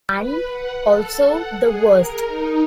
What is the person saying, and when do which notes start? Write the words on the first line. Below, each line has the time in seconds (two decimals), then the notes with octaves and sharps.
And also the worst.
0.16 B4
0.50 F#5
0.85 A4
1.27 F#5
1.58 G#4
1.91 A#4
2.25 D#4